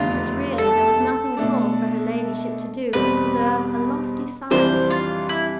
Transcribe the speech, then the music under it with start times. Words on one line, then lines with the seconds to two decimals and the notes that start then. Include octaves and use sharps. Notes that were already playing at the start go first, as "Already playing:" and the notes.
And really there was nothing at all for her ladyship to do but preserve a lofty silence.
Already playing: F1 E2 D3 A3 D4 F4
0.58 A4
1.37 B2 A3 D4
2.93 E2 B2 G3 C4 B4
4.50 F2 C3 E3 G3 D4 C5
4.90 F4
5.29 E4